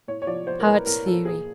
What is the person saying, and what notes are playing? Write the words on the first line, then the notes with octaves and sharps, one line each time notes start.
Hart's Theory.
A2 C#5
C#5
F3 D5
F3 C5
A#4
A2 B4
A2 A#4
F3 A4
A#2 G#4